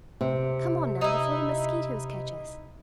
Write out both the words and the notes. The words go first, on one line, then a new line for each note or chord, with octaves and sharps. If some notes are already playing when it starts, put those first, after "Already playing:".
Come on, now, before the mosquitoes catch us!
C3
D#4 E4